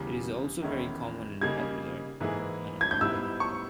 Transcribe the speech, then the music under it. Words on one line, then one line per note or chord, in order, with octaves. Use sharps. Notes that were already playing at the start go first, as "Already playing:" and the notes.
It is also very common and popular on Aruba.
Already playing: E2 C#3 G3
E2 D#3 G#3 C#4 E4
C#3 G3 A#3 D#4 G#6
G#2 E3 A#3 E4 G#4
G#6
G6
G#2 G3 B3 E4 E6
C#6